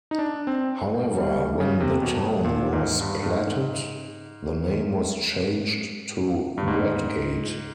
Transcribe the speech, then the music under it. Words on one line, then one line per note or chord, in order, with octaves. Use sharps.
However, when the town was platted, the name was changed to Bradgate.
D#4
D4
C4
G3
C#3
C3
B2
A#2
G#2
G2
G2
G#2
G2
G#2